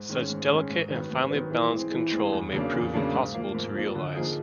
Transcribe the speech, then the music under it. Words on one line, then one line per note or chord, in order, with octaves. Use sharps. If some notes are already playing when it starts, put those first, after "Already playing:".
Such delicate and finely-balanced control may prove impossible to realize.
Already playing: G#2
D#3 G#3 C#4
G#2
D#3 G#3 C#4
G#2
D#3 F#3 B3
G#2
D#3 F#3 B3
E3
G#3 C4
E3
G#3 C4
E2
C#3 F#3 A#3 D4
E2
C#3 F#3 A#3 D4
G#2
F3 A#3
G#2
F3 A#3
D3
F3 A#3 D#4 G#4